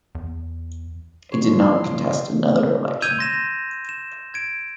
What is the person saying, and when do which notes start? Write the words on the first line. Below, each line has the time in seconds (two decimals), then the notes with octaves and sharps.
It did not contest another election.
0.15 E2
1.32 E3 F3 C#5 C6
3.02 E6 G6 G#6 D#7 F7
3.19 C6 A#6 E7
3.89 E7
4.34 G#6 D7